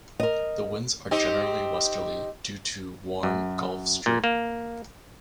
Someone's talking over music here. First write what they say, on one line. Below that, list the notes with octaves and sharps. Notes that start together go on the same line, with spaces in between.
The winds are generally westerly, due to warm Gulf Stream.
A#4 D#5
C4 D#4 G4
F#2
A#2
A#3